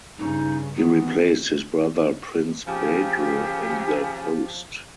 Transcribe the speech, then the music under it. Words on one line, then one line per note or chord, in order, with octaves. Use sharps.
He replaced his brother Prince Badr in the post.
G2 C#3 D#4
D#3 E3 B3
C#3 F3 G4